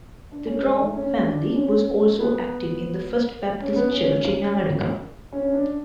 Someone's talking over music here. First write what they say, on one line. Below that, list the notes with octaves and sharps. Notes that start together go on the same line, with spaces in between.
The Drowne family was also active in the First Baptist Church in America.
D4
C#4
G#3
A3
C#4
D4
C#4
B3
C#4
B3
C#4
C#4
C#4
D4